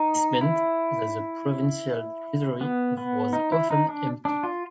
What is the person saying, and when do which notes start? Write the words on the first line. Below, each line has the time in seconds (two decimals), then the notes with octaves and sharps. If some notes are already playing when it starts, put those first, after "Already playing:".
This meant that the provincial treasury was often empty.
Already playing: D#4
0.41 E4
2.61 B3
2.97 B3
3.33 D#4
3.52 E4
3.71 D#4
3.89 D4
4.25 D4
4.43 F4